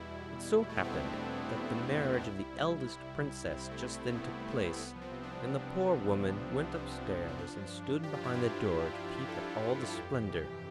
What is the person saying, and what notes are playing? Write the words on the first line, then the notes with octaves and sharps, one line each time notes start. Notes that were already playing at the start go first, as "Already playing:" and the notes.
It so happened that the marriage of the eldest Princess just then took place, and the poor Woman went upstairs and stood behind the door to peep at all the splendour.
Already playing: E2 B2 G3 E4
E2
E2
G3
B2
A3
E2 B3
C4
E2 D4
G3
B2
E2
E2
G3
B2
E2
C2 E4
G3
C3
C2
C2
G3
C3
C2
C2 C4
G3 A3
C3
A3
C2
C4
C2 B3
G3
C3 A3
C2
C2 B3
F3
C4
C3
C2 D4
C2
F3
C3
C2
C2
F3
C3
C2
C2 C4
F3
C3
C2
C4
F3 D4
G2
F3
G2
F3 G4
F4
G2 E4
F3 F4
G2
F3
G2
F3
G2
A4
F3 G4
G2
F3
G2
F2
E3
C3